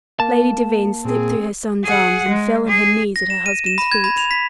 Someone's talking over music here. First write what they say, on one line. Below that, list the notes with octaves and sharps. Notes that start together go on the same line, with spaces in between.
Lady Devine slipped through her son's arms and fell on her knees at her husband's feet.
A#3 A5
A#2 C4 G#4
G#4 F#5
G#3
G#4
A#6
E7
D#7
E7
B5
G#6
B5
F7
B6